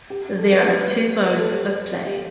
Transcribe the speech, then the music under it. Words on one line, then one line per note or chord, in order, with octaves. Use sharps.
There are two modes of play.
G4
A4
B4
G4
B4
B4
A4
G4
G4